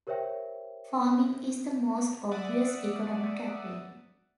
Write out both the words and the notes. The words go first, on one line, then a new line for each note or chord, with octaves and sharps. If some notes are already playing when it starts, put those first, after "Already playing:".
Farming is the most obvious economic activity.
G4 A#4 C5 C#5 E5 G5
D5 E5 F#5 D#6